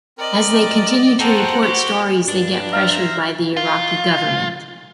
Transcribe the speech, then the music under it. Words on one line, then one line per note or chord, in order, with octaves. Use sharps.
As they continue to report stories, they get pressured by the Iraqi government.
C4 A#4 D5 D#5
F4 F#4 A4 C5 F#5 G5 A#5
F#4 G4
G2 D4
C5 E5 F5 A#5
F4